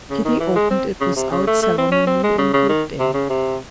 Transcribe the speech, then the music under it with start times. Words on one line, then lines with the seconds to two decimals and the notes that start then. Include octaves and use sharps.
Kitty opened it without ceremony and looked in.
0.10 C#3
0.25 D#3
0.40 E3
0.56 G#3
0.70 C4
1.01 C#3
1.16 C3
1.31 C#3
1.47 A3
1.62 A3
1.78 C4
1.92 C#4
2.07 C4
2.23 G#3
2.38 C#3
2.53 C#3
2.69 D#3
2.99 C3
3.14 C#3
3.29 C3